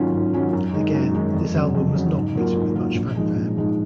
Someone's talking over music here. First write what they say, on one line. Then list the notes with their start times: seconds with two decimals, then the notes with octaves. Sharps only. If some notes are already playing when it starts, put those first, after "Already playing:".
Again, this album was not greeted with much fanfare.
Already playing: G#2 D#3 F#3 C#4 F4
0.14 G#2
0.33 D#3 F#3 C#4 F4
0.53 F#2
0.74 D#3 G#3 D#4
0.94 F#2
1.14 D#3 G#3 D#4
1.34 F2
1.54 C#3 F#3
1.75 F2
1.95 C#3 F#3
2.15 G#2
2.35 F#3 A#3 F4
2.54 G#2
2.75 F#3 A#3 F4
2.95 A#1
3.15 G#2 F3 G#3 D#4
3.35 A#1
3.56 G#2 F3 G#3 D#4